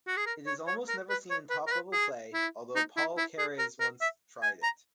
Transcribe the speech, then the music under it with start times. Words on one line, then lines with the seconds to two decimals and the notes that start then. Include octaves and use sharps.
It is almost never seen in top-level play, although Paul Keres once tried it.
0.07 F#4
0.17 G#4
0.26 A#4
0.47 C#5
0.67 C#5
0.89 A#4
1.10 B4
1.30 C#5
1.50 B4
1.67 A#4
1.72 B4
1.93 G#4
2.34 E4
2.76 D#4
2.97 E4
3.17 E4
3.38 G#4
3.59 A#4
3.80 A#4
4.01 E5
4.43 G#5
4.63 A#5